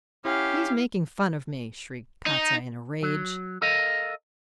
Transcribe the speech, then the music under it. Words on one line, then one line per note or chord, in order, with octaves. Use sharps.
'He is making fun of me!' shrieked Kostiei in a rage.
C#4 E4 G4 F5 F#5
D#4
F#3
A4 A#4 D#5 F5